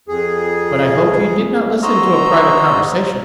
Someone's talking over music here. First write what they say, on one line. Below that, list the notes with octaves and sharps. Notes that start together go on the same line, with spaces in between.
But I hope you did not listen to a private conversation.
F2 G#4
D#4 F#4 C5 D#5 A#5 E6